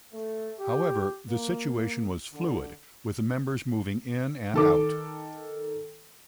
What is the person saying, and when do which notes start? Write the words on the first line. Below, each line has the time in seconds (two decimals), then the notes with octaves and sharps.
However, the situation was fluid, with members moving in and out.
0.12 A3
0.59 G4
1.30 A#3
2.32 D3
4.54 D#3 A4 D6